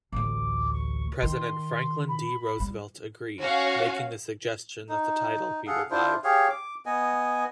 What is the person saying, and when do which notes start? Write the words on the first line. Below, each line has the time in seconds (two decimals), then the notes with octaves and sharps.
President Franklin D. Roosevelt agreed, making the suggestion that the title be revived.
0.12 A1 D2 D6
0.72 C#6
1.22 D#3 C6
2.08 B5
2.60 G3
3.40 C#4 F#4 F5
4.89 D#4
5.67 G#4 A4 F5 F#5
5.90 D4 E4 F4 C5
6.24 G4 G#4 C#5 F5
6.49 D6
6.86 B3 D#5 G#5